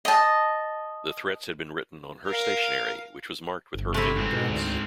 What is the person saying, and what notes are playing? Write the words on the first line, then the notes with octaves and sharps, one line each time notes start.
The threats had been written on her stationery, which was marked with her fingerprints.
D#5 A5
A#4 F5
G1
C3 A3 E4
G#2 C4
B2
D2